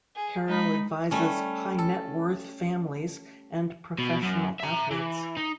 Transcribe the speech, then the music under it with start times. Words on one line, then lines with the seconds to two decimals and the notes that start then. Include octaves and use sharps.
Carroll advises high-net-worth families and professional athletes.
0.16 G#4
0.48 G#3 D#4 B5
1.11 G3 A3 C#4
1.78 A4
3.99 B2
4.23 F#2
4.60 E5 A#5
4.91 E3
5.37 D#4